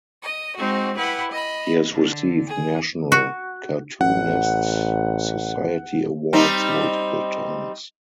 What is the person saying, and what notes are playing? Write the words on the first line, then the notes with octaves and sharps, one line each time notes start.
He has received National Cartoonists Society awards multiple times.
D#5
G#3 C4 D#4 F#4
E4 G4 B4 F#5
D#5 B5
D3
G#4
F#4
A1 F#5
G3 C4 D#4